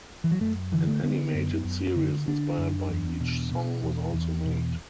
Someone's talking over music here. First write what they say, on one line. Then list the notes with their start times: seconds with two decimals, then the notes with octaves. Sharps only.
An animated series inspired by each song was also made.
0.24 E3
0.32 F#3
0.41 F#2 A3
0.72 D3 E3
0.87 A3
1.03 D3 B3
1.35 F#2
1.64 F#2
1.96 D3
2.28 D3 D4
2.58 F#2
2.90 E2
3.20 B2
3.52 B2
3.83 E2
4.13 E2
4.45 B2